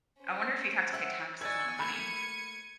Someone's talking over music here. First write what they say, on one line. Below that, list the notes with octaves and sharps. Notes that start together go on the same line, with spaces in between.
I wonder if you'd have to pay taxes on the money.
C#4 C5
E5 F#5 G5 E6
B4 D5 D#5 G#5 C#6 E6 G#6 A6
A3 A#3 B5 G#6 C#7 D#7